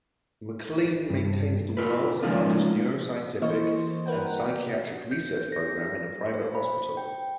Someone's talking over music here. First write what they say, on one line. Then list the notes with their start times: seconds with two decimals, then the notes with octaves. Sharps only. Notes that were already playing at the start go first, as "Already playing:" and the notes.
McLean maintains the world's largest neuroscientific and psychiatric research program in a private hospital.
1.10 G2
1.77 F4 A#4 B4
2.23 F3 G#3 C#4 D#4 F4
3.42 E3 A#3 C5 D#5 C#6
4.06 A#4 B4 F#5 G5
5.11 G6
5.52 A#6
6.34 C5
6.55 B5
6.97 G5